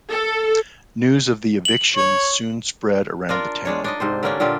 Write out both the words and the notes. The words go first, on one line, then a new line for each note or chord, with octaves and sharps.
News of the evictions soon spread around the town.
A4
F#7
C#5
D4 F4 A#4
G#3 D4 C#5
D4 D#4 D#5
G#2 C3 C5
D3 A#3 C#4 D4
A#2 D3 F4 G4